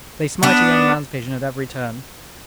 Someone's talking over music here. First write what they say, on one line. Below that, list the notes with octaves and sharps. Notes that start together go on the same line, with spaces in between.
They smite a young man's vision at every turn.
B3 D4